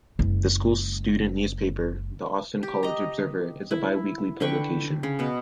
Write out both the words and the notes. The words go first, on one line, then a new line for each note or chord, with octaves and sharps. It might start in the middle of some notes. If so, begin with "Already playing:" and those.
The school's student newspaper, the Austin College "Observer", is a bi-weekly publication.
F#1 G#3
G4
D#5 A#5
E4
D3 B4 G5 C#6
C#3
B2 B3